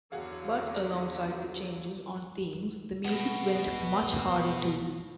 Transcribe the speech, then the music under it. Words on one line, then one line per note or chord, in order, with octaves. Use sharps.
But, alongside the changes on themes, the music went much harder, too.
E2 D3 F#3 F#4 G#4 F5
B2 B3